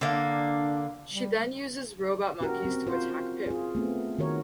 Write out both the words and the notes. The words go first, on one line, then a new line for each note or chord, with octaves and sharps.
She then uses robot monkeys to attack Pip.
D3 A#3 D4
G3
C#4 F#4 G4 A#4
C4
F4 C5
F4 G#4
A3 B3 C4
D#3 F#4 A#4 C#5